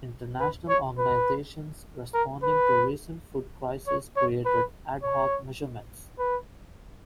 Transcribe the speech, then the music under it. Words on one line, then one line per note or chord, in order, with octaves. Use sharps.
International organizations responding to recent food crises created "ad hoc" measurements.
B4
C#5
B4
A#4
B4
C#5
C#5
B4
C#5
B4